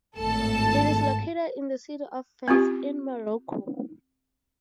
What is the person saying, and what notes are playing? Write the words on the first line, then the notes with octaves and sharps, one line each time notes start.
It is located in the city of Fez in Morocco.
G#1 A2 A4 A5
C4 C#4 F4 G4